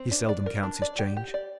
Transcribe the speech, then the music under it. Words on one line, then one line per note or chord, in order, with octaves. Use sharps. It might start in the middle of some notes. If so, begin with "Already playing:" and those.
He seldom counts his change.
Already playing: C4
D4
D5
A#4
D4
D5
G4
G4
D5